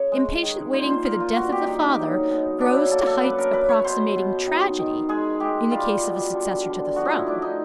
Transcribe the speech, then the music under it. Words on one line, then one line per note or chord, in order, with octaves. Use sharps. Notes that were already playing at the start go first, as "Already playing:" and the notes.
Impatient waiting for the death of the father grows to heights approximating tragedy in the case of a successor to the throne.
Already playing: C#3 C#5
G#3
D#3
A#2 C5
C5
A#2 A#4
F4
G2 F#4
G4
D#3 G4
D#4
F#3
B2
F#3 D4
E4
A#3 A4
A4
F#2 B4
A#4
F#2 B4
C#5
B2 C5
B2
D#3
D#3
G#3 G#4
G#3 G4
G3 F4
B2
D3
D3
F3 F#4
D#4
E4
A3 D4
D#4